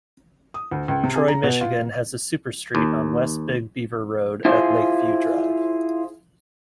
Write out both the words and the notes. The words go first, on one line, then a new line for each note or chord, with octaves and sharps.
Troy, Michigan has a superstreet on West Big Beaver Road at Lakeview Drive.
D#6
D2
C#2
C3
G#4
A#5
B2
F4
D#2
E4 F4 G#4 C5